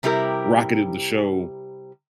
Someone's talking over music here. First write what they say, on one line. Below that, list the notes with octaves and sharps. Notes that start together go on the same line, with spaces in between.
rocketed the show
C3 G3 E4 G4 A#4